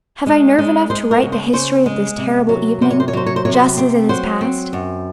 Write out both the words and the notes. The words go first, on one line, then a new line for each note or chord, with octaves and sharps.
Have I nerve enough to write the history of this terrible evening, just as it has passed?
G#3
G#3
G#3 C5
A#4
C#3
C5
C#3 C5
G#3
C3
F#3
C3 C5
C#5
C5
C#5
F#3 C5
C#5
C5
C3 C#5
C5
C4
F#3 C5
C4
F#2